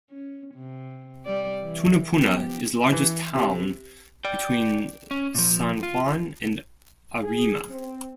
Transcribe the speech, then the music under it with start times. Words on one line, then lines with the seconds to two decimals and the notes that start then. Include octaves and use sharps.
Tunapuna is the largest town between San Juan and Arima.
0.11 C#4
0.54 C3
1.25 G3 D5
1.62 E3
2.14 F3 B3 G4
2.92 E3
3.35 C3
4.25 D5 G5
5.11 C#4
5.35 A#2 F3
5.83 F4
7.22 G#4
7.70 C4